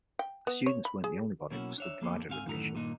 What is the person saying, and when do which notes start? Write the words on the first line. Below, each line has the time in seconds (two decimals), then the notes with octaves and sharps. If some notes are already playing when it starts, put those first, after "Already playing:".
The students weren't the only body that stood divided over the issue.
0.19 G5
0.47 B3
0.66 C#5
0.85 B5
1.04 G#4
1.51 B2 F#3 A#3 C#4 E4 F#4
1.78 D4 C#5 E5
2.01 D3 F3 A#3 B3 G#4 A4
2.28 G#2 D3 C4 F5 G#5
2.46 F#2 A2 D3 D#3 A3 A#5
2.74 G2 A#2 D#3 A#3 D4 D#4